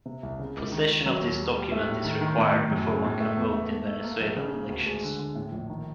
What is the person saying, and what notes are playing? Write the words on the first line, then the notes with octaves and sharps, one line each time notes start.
Possession of this document is required before one can vote in Venezuelan elections.
C3
C2
C#3
C#2
D#3
D#3
F#3
D#2
G3
G3
A3
A2
D#3
D#3
A2
A2
F#2
C#3
A2
A3
E2
A3
A3
A3
A#3
A#1
C#3
A#3
D2
G#3
D3
D3
A2
A#1
D#3